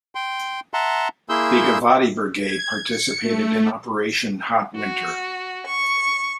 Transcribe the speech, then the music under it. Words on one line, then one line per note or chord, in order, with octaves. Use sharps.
The Givati Brigade participated in Operation Hot Winter.
G5 C6
E5 F#5 A5 A#5 C6
A#3 E4 G#4 C6 E6 G6
G#6
C#7
A3
F#4
C#6